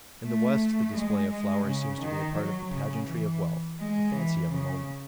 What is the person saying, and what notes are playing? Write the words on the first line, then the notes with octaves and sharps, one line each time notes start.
In the West the display of flowers seems to be a part of the pageantry of wealth,--the fancy of a moment.
A3
G#3
G#3
C#3
D#3
F#3
C#3
E3
G#3
E3
C#3